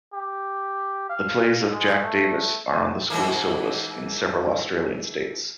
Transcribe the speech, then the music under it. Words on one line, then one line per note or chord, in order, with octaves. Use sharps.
The plays of Jack Davis are on the school syllabus in several Australian states.
G4
F5
G#3
A3
G#2 E3 A#3